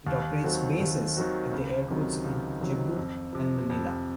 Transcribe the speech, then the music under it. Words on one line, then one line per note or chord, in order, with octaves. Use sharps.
It operates bases at the airports in Cebu and Manila.
D#2
D#3 F#3 C4 F#4
D#2
D#3 F#3 C4 F#4
C#2
C3 D#3 F#3
C#2
C3 D#3 F#3
F2
C3 F3
F2